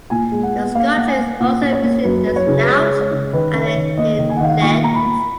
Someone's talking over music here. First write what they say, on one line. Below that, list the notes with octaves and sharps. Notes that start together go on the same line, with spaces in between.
The sculpture is also missing the snout and the hind legs.
A#2 G#5
G#3
F#5
B3
A#3 F5
A#3 F#5
G#5
A#3
A#2 F#5
C#4
C#5
A#3
F#2 B4
F#2 B4
C#5
C#3
B4
G#3 C#5
G#3
C#5
C#3
D#3 B4
C#4
C#5
D#3
A#3 D#5
D#3
G#5
F#5
D#3 F5
F#5
A#2 C#6
A#3 A#5
B5
A#3